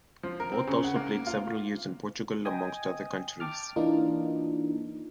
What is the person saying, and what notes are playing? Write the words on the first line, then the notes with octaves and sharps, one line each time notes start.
Both also played several years in Portugal, amongst other countries.
F3
A#4
C4
C#3
F#5
A#3
F4
D#5 G5 G#5 D#6
G5 A5 D6 F6
E3 A#3 D4 D#4 F4